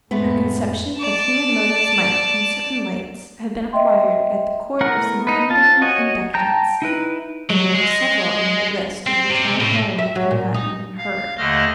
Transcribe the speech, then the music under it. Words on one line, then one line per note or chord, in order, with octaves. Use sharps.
Her conception of human motives might, in certain lights, have been acquired at the court of some kingdom in decadence, and there were several in her list of which our heroine had not even heard.
F2 A2 G#3 A3 B3
D5 A5
D#5 E5 G5 C6
A3 B3 E4 A#4 F#5
D#4 B4
F4 A5
F#4 C#5 D#5 F#5 G#5
G5 A5 A#5 G6
D#4 E4 B4
F#3
G#3
C4
C3
A2
E5
F#3
A#2
D#4
F5
D#2 D3 A3 D#5 F6